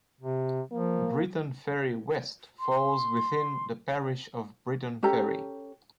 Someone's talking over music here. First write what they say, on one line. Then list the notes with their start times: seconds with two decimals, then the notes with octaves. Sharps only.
Briton Ferry West falls within the parish of Briton Ferry.
0.21 C3
0.72 F3 A#3
2.60 C6
5.03 C#4 G4 A4 A#5